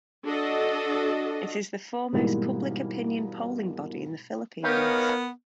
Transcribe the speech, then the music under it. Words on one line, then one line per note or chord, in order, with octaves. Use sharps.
It is the foremost public-opinion polling body in the Philippines.
D4 F#4 A4 D#5
G#2 B2 E3 G3 G#3 A#3
B3 D#4 G4 A#4 B4 C#5 F5